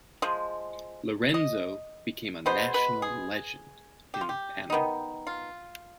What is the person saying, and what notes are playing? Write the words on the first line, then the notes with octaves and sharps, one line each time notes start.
Lorenzo became a national legend in Panama.
F3 G#3
D#5
B2 G#3 B3 C5
B4
G#4
G4
F4
G4
D#3 B3 D#4
F4